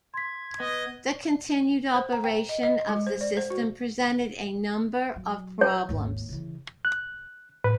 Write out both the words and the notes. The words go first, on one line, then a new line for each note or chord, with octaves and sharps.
The continued operation of the system presented a number of problems.
C6 G#6 B6
B3 D#5
C5
A#5
G5
D#5
D#5
G#3
C5
D5
C5
F#4
F#3
C#5
G#1 D#2
C#3 E3
F#6
A2 B4